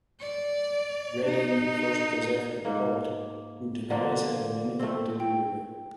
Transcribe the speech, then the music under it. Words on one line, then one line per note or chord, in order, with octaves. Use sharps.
Redding first goes after Poet, who denies having anything to do with it.
D5
D#4
G#2 A#3
D3 F3 A#3
A3 C4
G5